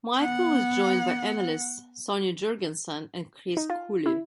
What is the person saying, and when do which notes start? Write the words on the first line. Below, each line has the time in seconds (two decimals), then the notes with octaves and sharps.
Michael is joined by analysts Sonny Jurgensen and Chris Cooley.
0.17 B3 F#5
3.57 D#4
3.70 F4
4.06 E4